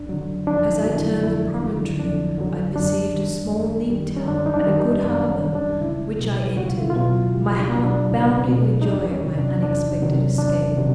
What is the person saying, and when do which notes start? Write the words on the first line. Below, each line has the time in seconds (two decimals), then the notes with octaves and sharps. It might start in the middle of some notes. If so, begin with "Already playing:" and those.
As I turned the promontory I perceived a small neat town and a good harbour, which I entered, my heart bounding with joy at my unexpected escape.
Already playing: F2 D4
0.09 D3 F#3
0.47 F2 D4
0.72 D#4
0.85 D3 F#3
0.97 E4
1.23 F2 E4
1.61 D3 F#3
1.99 F2 D4
2.38 D3 F#3
2.76 F#2 D4
3.14 D#3 G3
3.52 F#2
3.90 D#3 G3
4.17 C#4
4.28 F#2 D4
4.46 D#4
4.54 D4
4.67 D#3 G3
4.80 D#4
5.05 F#2 D4
5.30 C#4
5.42 D#3 G3
5.55 D4
5.81 C#2 E4
6.19 B2 F#3
6.57 C#2 F#4
6.69 F4
6.80 E4
6.90 F4
6.95 B2 F#3
7.34 C#2 G4
7.59 D4
7.72 B2 F#3
7.85 D4
8.10 C#2 D#4
8.49 B2 F#3
8.82 D#4
8.86 E2 D4
9.12 C#4
9.25 C3 D#3 F#3
9.38 D4
9.63 E2 D4
9.88 D#4
10.00 C3 D#3 F#3
10.13 C#4
10.38 E2 D4
10.77 C3 D#3 F#3